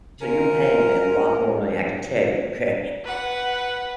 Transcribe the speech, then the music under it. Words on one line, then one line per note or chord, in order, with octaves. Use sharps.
S so you're paying a lot more money, I can tell you, okay,
C#4 F4 A#4
B4 F#5